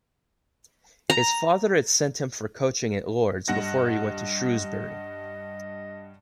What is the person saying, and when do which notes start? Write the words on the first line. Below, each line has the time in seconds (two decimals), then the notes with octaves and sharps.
His father had sent him for coaching at Lord's before he went to Shrewsbury.
1.10 A#5
3.48 G2 D#5 F#5 A#6